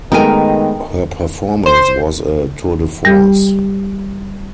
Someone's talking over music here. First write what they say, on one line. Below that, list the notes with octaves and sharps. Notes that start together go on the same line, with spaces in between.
Her performance was a tour-de-force.
D#3 G#3 A3 B3 D#4 A#4 G5 G#5
C5
G3 G4